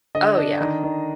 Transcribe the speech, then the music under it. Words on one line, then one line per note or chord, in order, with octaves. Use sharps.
Oh, yeah.
D3 D#5
D4
D#3
D#3